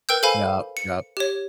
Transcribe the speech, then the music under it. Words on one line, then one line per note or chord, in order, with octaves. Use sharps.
Yup, yup.
A#4 B4 G5 E6 G6
A4 C5 F5 G#5 B5
C#7
G4 C#5